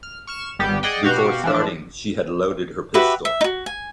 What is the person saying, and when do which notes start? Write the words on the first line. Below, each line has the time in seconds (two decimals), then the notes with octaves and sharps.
Before starting she had loaded her pistol.
0.03 F6
0.27 C#6 F6 E7
0.59 G#1 G3 B3 G4
0.83 G#4 D5 D#5 F#5 G5
1.03 B2 F#4 G4 F5
1.44 E3 F3 D4
2.94 F#4 G4 B4 E5
3.25 E5
3.41 D#4 F#4
3.66 G#5